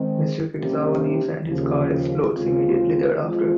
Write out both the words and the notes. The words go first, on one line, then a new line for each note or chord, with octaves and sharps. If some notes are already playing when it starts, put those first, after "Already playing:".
Mister Kitazawa leaves and his car explodes immediately thereafter.
Already playing: D#3 G#3 C4
C3 G3 A#3 C#4 G4
D#2 C#3 F3
D#2 C#3 G#3 C4 F4
F3 G#3 C4 F4